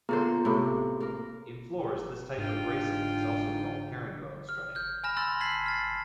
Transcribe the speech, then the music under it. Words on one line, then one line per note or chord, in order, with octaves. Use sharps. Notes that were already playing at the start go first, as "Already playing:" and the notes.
In floors this type of bracing is also called herringbone strutting.
A#2 D3 B3 G#4 C5 A#5
A2 C3
A#3 A#4
G#2 D4 F4 G5
F6
F6 G6
G#5 B5 F6 A#6 E7
B5 C6 E6 F#6 A6 A#6
A5 G#6 A6 B6 C7 F#7
F6 A6 C7